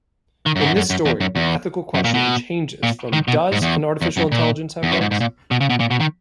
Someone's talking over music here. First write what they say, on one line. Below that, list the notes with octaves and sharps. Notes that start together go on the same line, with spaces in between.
In this story the ethical question changes from Does an artificial intelligence have rights?
D#3
F#2
G#2
F#2
F#2
F#2
E2
F#2
E2
F#2
A#2
B2
A#2
D#3
B2
G#2
E2
E2
F#2
A#2
E2
F#2
G#2
G#2
A#2
B2
C#3
B2
A#2
B2
D#3